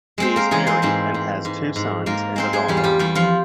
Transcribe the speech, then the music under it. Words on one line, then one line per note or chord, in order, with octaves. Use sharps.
He is married and has two sons and a daughter.
G#3 C4 C5
A#3 A#4
E3 G#3 G#4
C4 C5
G#2 C4 C5
G#2
G#2
G#2
G#2 A#3 A#4
G#3 C4 C5
G#3 G#4
E2 G3 G4
F4
G3 G4
E2 G3 G4
F3 F4